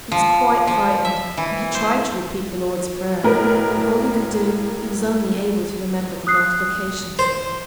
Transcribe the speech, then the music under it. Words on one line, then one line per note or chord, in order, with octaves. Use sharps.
He was quite frightened, and he tried to repeat the Lord's Prayer; but all he could do, he was only able to remember the multiplication table.
F3
F3
E5
E3
C5
B1 A2 A#4 B4
D#6 F#6 C7
C5